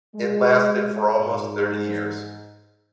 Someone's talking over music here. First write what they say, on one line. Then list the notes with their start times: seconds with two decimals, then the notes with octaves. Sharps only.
It lasted for almost thirty years.
0.15 G#3
1.17 G#2